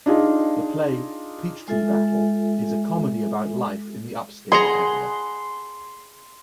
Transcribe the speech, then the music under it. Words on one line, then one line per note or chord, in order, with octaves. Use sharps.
The play "Peachtree Battle" is a comedy about life in the upscale area.
D4 D#4 F4 G#4
G#3 F4 A4 E5 G#5
G#4 F#5 A#5 C6